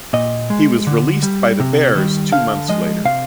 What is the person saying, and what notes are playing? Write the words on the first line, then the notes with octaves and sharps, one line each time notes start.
He was released by the Bears two months later.
A#2 D#5
G#3
D3
G3
C3
D#3 G3
D3 F5
F3 G#3 D#5
C3 F5